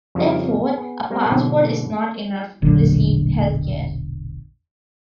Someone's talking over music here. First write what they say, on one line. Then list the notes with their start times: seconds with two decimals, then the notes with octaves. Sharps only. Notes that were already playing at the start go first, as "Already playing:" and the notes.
Therefore, a passport is not enough to receive health care.
0.15 F2 C#3 F3 G3 A#3
0.73 B3 G#4
1.10 G3 A3 A#3 C4 A4
1.31 G#2 B2 D3 E3 F#3
2.62 E1 A#1 D3 F#3